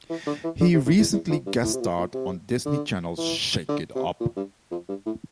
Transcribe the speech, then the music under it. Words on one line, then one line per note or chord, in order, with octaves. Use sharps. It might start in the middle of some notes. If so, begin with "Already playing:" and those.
He recently guest starred on Disney Channel's "Shake It Up".
E3
D3
E3
D3
C3
A2
E2
E2
F2
G2
A2
C3
A#2
A#2
C3
D3
E3
D3
C3
A#2
G2
F2
G2
A2